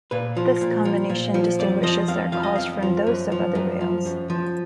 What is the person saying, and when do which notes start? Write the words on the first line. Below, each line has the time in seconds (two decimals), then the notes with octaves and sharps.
This combination distinguishes their calls from those of other whales.
0.11 A#2 B4
0.37 F3
0.61 A#2
0.85 F3
1.09 A#2
1.34 F3
1.59 F2 D5
1.83 F3 D#5
2.08 F2 F5
2.32 F3 F5
2.43 D#5
2.56 F2 F5
2.82 F3
3.07 F#2
3.32 F3
3.55 F#2
3.81 F3
4.06 F#2
4.30 F3